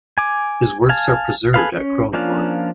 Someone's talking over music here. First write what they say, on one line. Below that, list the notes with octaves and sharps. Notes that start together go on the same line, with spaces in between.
His works are preserved at Kronborg.
G#5 D6
F5 G#5 A5
G#4 A4 B4 F5
C#4
F3 A#3 C#4 D4 F4